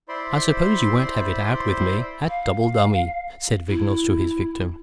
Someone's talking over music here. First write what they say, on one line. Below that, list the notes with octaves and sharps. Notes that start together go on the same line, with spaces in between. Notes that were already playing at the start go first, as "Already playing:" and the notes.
"I suppose you won't have it out with me at double dummy?" said Vignolles to his victim.
E4 C5 D5 B5 C6
F5
E4